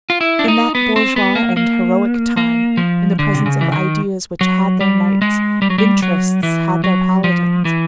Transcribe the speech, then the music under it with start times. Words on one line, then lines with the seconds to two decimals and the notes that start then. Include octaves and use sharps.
In that bourgeois and heroic time, in the presence of ideas which had their knights, interests had their paladins.
0.10 F4
0.21 E4
0.39 D4
0.48 D#4
0.75 B3
0.96 C4
1.16 B3
1.35 A#3
1.57 A#3
2.37 A#3
2.77 F3
3.19 D3
3.35 C3
3.46 C#3
3.61 E3
3.72 D#3
4.41 F#3
4.81 G3
5.22 G#3
5.62 G3
5.70 F#3
5.78 G3
6.02 F#3
6.43 E3
6.84 F#3
7.24 F3
7.65 E3